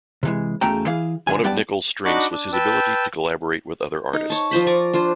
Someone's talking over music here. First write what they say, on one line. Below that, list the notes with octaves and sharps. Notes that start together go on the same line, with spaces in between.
One of Nichol's strengths was his ability to collaborate with other artists.
C3 E3 G#3
E2 C#3 A3 F#4 G5 A#5
E3 G#4 F5
D3 F3 G#5
G3 B3 D5 G5 A5
D4 D#4 F#4 B5 C#6 D6
D4
B4 G5 A5 E6 G6
D#4
C#5 A5
F3 F4 C5 B5
D5 A#5 C#6
D4 F4 C5